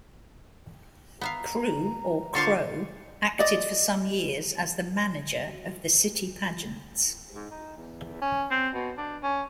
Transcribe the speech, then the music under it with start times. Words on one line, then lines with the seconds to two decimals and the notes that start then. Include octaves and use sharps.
Croo, or Crowe, acted for some years as the 'manager' of the city pageants.
1.21 B3 E5 F5 A#5
2.35 D3 F4 C5 F5 C#6 D6
3.39 D5 D#5
7.34 G#2
7.51 D#4
7.77 E2
8.21 C#4
8.51 C4
8.74 B2
8.97 D4
9.23 C#4